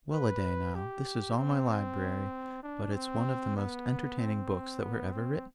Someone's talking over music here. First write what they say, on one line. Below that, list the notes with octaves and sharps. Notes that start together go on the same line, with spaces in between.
'Well-a-day now, this is all my library, but it's one of the most entertaining books that were ever written!
B4
G4
C4
D4
C4
B3
C4
B3
C4